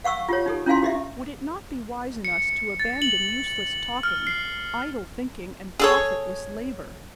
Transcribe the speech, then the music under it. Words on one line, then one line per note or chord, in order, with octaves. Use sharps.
Would it not be wise in us to abandon useless talking, idle thinking, and profitless labour?
F5 F#5 C#6 E6
F4 G4 C#5
D#4 G4 A4
C#4 E4 F4 F5 G#5 C6
G4 D#5 E5
C#7
A6
F#7
F6
C7
G#4 A4 C#5